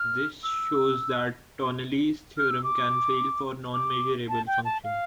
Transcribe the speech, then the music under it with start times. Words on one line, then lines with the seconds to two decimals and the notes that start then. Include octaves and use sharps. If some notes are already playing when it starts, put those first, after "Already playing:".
This shows that Tonelli's theorem can fail for non-measurable functions.
Already playing: F6
0.43 E6
2.38 F6
2.51 E6
2.64 D6
3.73 D6
4.29 A5
4.47 G5
4.65 A5
4.84 F5